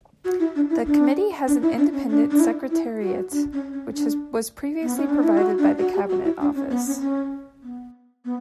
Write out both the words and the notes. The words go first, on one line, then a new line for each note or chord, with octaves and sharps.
The committee has an independent secretariat which was previously provided by the Cabinet Office.
F#4
E4
D4
E4
D4
D4
E4
D4
C#4
D4
D4
E4
E4
F#4
D4
C#4
C#4
D4
B3
C#4
D4
E4
F#4
D4
F#4
G4
F#4
E4
D4
C#4
B3
C#4
C#4
B3
B3